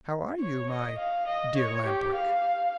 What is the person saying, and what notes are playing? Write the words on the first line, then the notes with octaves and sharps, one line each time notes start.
"How are you, my dear Lamp-Wick?"
C#5
D#5
F5
D#5
C#5
G4
F5